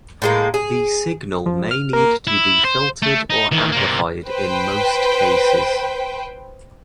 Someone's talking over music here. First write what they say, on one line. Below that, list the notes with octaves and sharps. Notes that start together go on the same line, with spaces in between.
The signal may need to be filtered or amplified in most cases.
A2 G#3 A#3
G#4
F3
F6
A#3 A#4
E4
C5
A3
D#4
D#3 E3
C3 A#3
B4 C5 G5